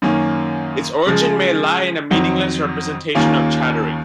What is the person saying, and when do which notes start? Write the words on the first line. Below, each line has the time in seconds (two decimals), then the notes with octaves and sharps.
Its origin may lie in a meaningless representation of chattering.
0.02 F#2 D#3 A#3 C#4
1.06 C#3 F3 G#3
2.11 F2 D#3 F#3 C4
3.15 D#2 D#3 A#3 C#4 F4